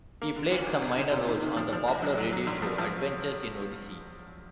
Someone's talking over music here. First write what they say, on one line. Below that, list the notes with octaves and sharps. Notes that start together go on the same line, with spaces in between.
He played some minor roles on the popular radio show, "Adventures in Odyssey".
A#3
D3
D2
G1
G1
D3
C3
D#3
D#3
F3
F3
D#2
F#3
F#3
F#3
A#1
F3
F3